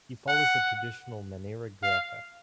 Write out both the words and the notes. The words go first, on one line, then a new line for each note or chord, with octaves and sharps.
He follows the traditional maniera greca.
F#5
F5